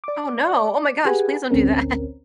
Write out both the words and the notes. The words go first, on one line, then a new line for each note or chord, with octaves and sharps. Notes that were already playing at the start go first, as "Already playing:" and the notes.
Oh, no. Oh my gosh please don't do that.
D5 D6
G4 G#4 B4 F#5 G#5
A1 D2 C4 C#4 A#4